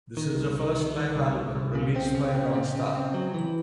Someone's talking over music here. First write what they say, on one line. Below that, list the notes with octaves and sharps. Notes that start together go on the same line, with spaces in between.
This is the first live album released by Ronstadt.
D#3
C2
D#3
D#3
D#3
C2
C2
C2
C#3
C4
C#3
C4
C#3
C#3
C4
F#3
E3